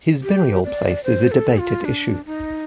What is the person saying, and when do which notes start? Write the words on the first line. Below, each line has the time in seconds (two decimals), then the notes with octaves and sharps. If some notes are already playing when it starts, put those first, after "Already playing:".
His burial place is a debated issue.
0.24 G4
0.64 D5
1.04 C5
1.31 A4
1.58 F4
1.85 D4
2.26 D#4